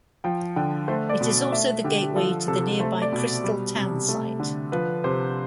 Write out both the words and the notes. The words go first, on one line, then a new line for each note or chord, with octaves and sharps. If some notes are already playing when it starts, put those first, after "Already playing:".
It is also the gateway to the nearby Crystal townsite.
F3 G5
D3 G5
A3 C5
D5
B2
A3 E5
D3 G4
F3 A4
C3 A4
A3 C5
D5
B2
G3
C3
A3
D3
F3 B4
C3 C5